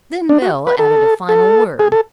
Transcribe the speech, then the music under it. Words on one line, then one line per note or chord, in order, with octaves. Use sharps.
Then Belle added a final word.
D4
F#4
B4
A4
A4
G#4
A4